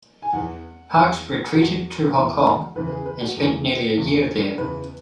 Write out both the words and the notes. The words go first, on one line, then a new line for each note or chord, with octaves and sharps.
Parkes retreated to Hong Kong and spent nearly a year there.
G#5
E2 E3 F#5
E2 E3
E2 E3 F#4
E2 E3
E2 C#3 E3 B4
B4
G#4
B4
F#4
E2 C#3 E3 G#4
E2 C#3 E3
E2 C#3 E3 B4